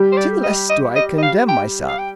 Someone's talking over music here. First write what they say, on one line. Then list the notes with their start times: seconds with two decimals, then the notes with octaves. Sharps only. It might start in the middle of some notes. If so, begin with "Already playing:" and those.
Still less do I condemn myself.
Already playing: G3 G4
0.12 C5
0.17 D5
0.43 D#5
0.69 D#5
0.96 D#5
1.18 D#5
1.23 F5
1.48 G5
1.88 F5
1.98 G5